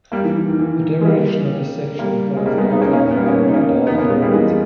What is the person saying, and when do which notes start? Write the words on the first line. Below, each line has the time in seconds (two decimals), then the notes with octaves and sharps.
The derivation of this section follows the outline by Nocedal and Wright.
0.12 G3 A#3
0.24 E3
0.36 E3
0.48 D#3
0.59 E3
1.01 G#3
1.05 G3 A#3
1.99 G3 A#3
2.36 G#3
2.46 G3 A#3
2.58 G#3 B3
2.70 B3 D#4
2.81 A#3 C#4
2.87 D#4
2.93 A#3 C#4
3.11 B3
3.16 G3 A#3
3.27 A#3 C#4
3.39 C#4
3.48 D#4
3.54 A#3 C#4
3.86 B3 D#4
3.98 A#3 C#4
4.09 G#3 B3
4.22 G3 A#3
4.34 E3 G#3